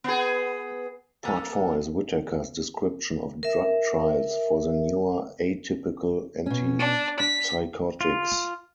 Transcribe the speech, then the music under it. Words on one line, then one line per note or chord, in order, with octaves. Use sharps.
Part Four is Whitaker's description of drug trials for the newer atypical antipsychotics.
B3 G#4
A#3 A4
A#4 E5
B2 C#4
D4
D4 B6
F4